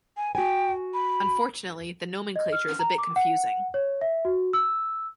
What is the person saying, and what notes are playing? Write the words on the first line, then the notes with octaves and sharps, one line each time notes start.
Unfortunately, the nomenclature is a bit confusing.
G#5
F#4 G5 G#5
B5
D#5
F6
A#5
D6
F#5
C#5
E5
F#4
E6